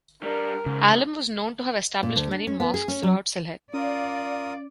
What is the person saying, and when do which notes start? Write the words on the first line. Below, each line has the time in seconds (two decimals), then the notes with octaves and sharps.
Alam was known to have established many mosques throughout Sylhet.
0.23 G3 D4 A#4
0.66 G#2 C#3
2.03 A#2
2.16 D2
2.31 D4
2.47 C#4
2.60 B3
2.74 G#4
2.88 C#4
3.03 F#3
3.74 C#4 F4 A#4 D5 F5 D#6